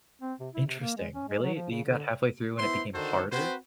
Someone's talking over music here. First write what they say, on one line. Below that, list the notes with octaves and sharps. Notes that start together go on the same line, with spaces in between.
Interesting. Really, you got halfway through and it became harder?
C4
C3
E4
C3
A#3
G#3
C#4
G#3
F#3
F3
C#3
D3
B3 E4 C5 C6
D3 D#3 F#4 A4 C5
C4 F#4 B4 C5